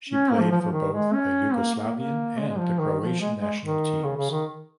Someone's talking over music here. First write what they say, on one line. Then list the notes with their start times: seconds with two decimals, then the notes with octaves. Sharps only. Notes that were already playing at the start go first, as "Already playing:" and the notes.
She played for both the Yugoslavian and the Croatian national teams.
0.10 C#4
0.31 A#3
0.40 F3
0.52 F3
0.62 F3
0.72 D#3
0.93 G#3
1.14 C#4
1.55 A#3
1.75 A#3
1.96 A#3
2.38 G#3
2.48 G#3
2.59 F3
2.79 D#3
3.00 F3
3.21 G#3
3.41 G#3
3.62 D#3
4.04 C#3
4.17 C#3
4.31 D#3